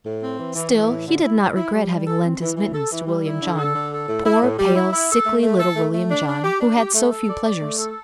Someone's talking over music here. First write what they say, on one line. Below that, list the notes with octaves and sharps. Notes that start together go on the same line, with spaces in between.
Still, he did not regret having lent his mittens to William John--poor, pale, sickly little William John, who had so few pleasures.
A2
C4
E3
E3
E3
A2
D3
E4
G3
E4
G3
G3
A4
C4
E3
E3
A4
E3
G3
E4
D3
A4
D3
A4
A2
E4
A2
G3
E4
E4
A4
A3
A3
A4
A3
A3
D4
D4
G4
D4
G4
A3
A4
D5
D5
A3
A4